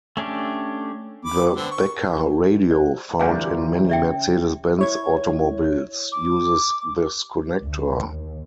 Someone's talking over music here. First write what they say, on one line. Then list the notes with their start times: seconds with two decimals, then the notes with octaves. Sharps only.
The Becker radio found in many Mercedes-Benz automobiles uses this connector.
0.17 A3 C#4 D4 G4
1.25 B5 D6
1.56 D3 B3 C4
1.72 C#6
2.71 C5 D5
3.20 D2 A#2 E3 G3 F5 G#5
3.89 C#3 D5 E5 G5
4.78 E4 C#5 G#6
6.12 D6
7.62 D2
8.04 D#2